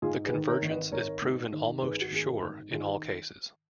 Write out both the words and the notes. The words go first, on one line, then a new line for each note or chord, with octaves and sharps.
The convergence is proven almost sure in all cases.
G#2 F4 G#4
G#4 B4
D#3
A#4 C#5
G#1
B4 D#5
G#1 A#4 C#5
G#2
D#3
G#1 G#4 B4
F#4
G#1 G#4
F#4 A#4
G#2
D#3 F4 G#4